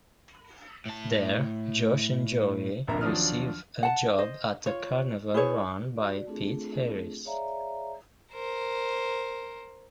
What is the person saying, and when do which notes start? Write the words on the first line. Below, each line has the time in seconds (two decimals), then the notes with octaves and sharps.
There, Josh and Joey receive a job at a carnival run by Pete Harris.
0.86 A2 A5
2.87 F1 A#1 A#3 D4 E5 A#5
3.01 D#2 F3 F#3 D4 D#6 F6
3.83 F#5 A5
4.18 C5 D#5
4.66 F4 C#5
5.34 E4 G#4 C5 C#5
5.96 F#4 D5
6.27 A3 C4 D4 F4 G#4 A4
7.25 G#4 C#5 D5 E5 F5 A#5
8.33 A#4 C5